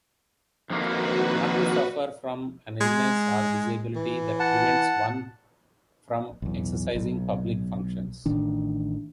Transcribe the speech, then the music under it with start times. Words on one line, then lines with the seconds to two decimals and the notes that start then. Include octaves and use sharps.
Not to suffer from an illness or disability that prevents one from exercising public functions.
0.70 F2 D#3 A#3 F#4 B4
2.81 G#3
3.96 E3
4.39 F#5 A5
6.42 B1 E2
6.95 B1
8.26 A1 A2 D#3 D4